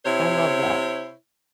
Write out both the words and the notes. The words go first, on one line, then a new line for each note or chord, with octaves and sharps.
I love that.
C3 E4 C5 C#5